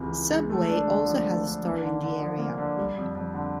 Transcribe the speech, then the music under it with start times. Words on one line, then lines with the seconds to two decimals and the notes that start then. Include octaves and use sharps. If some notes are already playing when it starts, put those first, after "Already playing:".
Subway also has a store in the area.
Already playing: C#2 C3 E3 G#3
0.11 E3
0.30 G#3
0.50 A3
0.69 D4
0.88 D3
1.06 F3
1.25 A3
1.44 D4
1.64 A#3
1.82 D3
2.01 D3
2.20 F3
2.39 A#3
2.58 D3
2.77 G3
2.96 F2
3.15 F2
3.34 D3